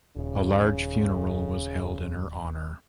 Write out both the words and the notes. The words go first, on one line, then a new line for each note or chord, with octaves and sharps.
A large funeral was held in her honor.
D#1 C#3